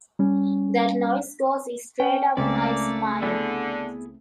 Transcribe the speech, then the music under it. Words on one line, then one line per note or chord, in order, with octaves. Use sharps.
That noise goes straight up my spine.
G3 C#4
C#4 G5
C#2 A3 A#3 C4 C#4 D5
D3 B3 E4 G#4